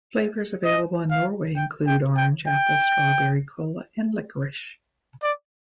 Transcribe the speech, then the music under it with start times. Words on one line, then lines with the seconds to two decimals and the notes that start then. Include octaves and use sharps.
Flavors available in Norway include orange, apple, strawberry, cola and licorice.
0.64 D#5
1.11 F5
1.56 G5
1.87 G5
2.16 G5
2.47 G5
5.23 D5